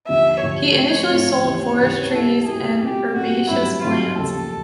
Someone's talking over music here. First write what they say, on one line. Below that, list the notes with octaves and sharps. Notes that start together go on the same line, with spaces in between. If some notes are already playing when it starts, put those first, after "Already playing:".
He initially sold forest trees and herbaceous plants.
D#2 D3 F3 E5
D#2 D3 F3 C#5
F3 A3 C4
F3 A3 C4
D#2 C#3 E3
D#2 C#3 E3 C#5
G3 B3 E4 G4 A4
G3 B3 E4 G4 G#4
B2 G3 C4 F4 G4 A4
B2 G3 C4 F4 F#4 A4
G2 D#3 F#3 A3 C4 E4
G2 D#3 F#3 A3 C4 F4
D#2 C#3 F3 A4